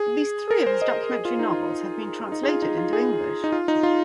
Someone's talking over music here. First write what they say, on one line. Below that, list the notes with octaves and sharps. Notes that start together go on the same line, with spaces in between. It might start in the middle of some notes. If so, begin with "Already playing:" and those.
At least three of his documentary novels have been translated into English.
Already playing: G#4
A#4
C5
D#5
G#4
F4
D#4
F4
D#4
G#4
F4
D#4
F4
G#4
D#4
F4
D#4
F4